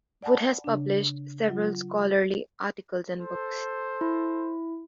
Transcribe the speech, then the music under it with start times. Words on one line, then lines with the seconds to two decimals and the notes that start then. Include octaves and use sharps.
Wood has published several scholarly articles and books.
0.23 D5 F#5 G#5 A5 B5
0.64 C#3 D4
1.48 F#3 F4
3.17 A4 C5
4.01 E4